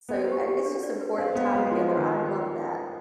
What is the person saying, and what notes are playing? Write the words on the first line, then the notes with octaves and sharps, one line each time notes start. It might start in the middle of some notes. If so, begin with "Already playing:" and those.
So, it it's just important time together, I love that.
B3
C4 D5
G4
G4
D4
D5
B4
C4 F5
B3 F5
G#3 F5
F3 C6
C6
D#3